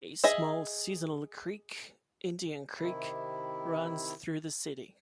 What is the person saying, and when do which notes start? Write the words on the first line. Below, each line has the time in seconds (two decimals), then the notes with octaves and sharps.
A small seasonal creek, Indian Creek, runs through the city.
0.24 G#4 D#5 E5
2.80 C3 D#3 E4